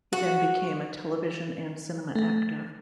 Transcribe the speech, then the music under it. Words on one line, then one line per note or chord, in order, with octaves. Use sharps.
He then became a television and cinema actor.
F#4
A3